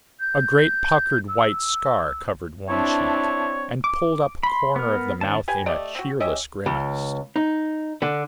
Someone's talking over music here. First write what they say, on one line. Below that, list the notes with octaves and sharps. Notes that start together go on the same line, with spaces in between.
A great puckered white scar covered one cheek and pulled up a corner of the mouth in a cheerless grimace.
G6
E6
C4 D4 E4 C#5 A5
D6
B5 C6
B3 A#4
D#3 C4 C#4 A5
G4 B4 G#5
A3 G4 D5 D#5
C4 F#4
C#4 G4 D#5 E5
C#2
D#4
D3